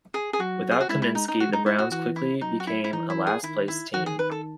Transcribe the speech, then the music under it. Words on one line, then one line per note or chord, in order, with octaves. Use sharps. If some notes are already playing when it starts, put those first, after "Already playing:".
Without Comiskey, the Browns quickly became a last-place team.
G#4
G#4
F#3 F#4
G#4
F#4
G#3 E4
E4
D#4
D#4
G#3 F#4
D#4
E4
F#4
E3 F#4
E4
F#3 D#4
F#4
E4
E4
E3 D#4
E4
G#4
D#3 E4
E4
D#3 F#4
G#4
B4
A4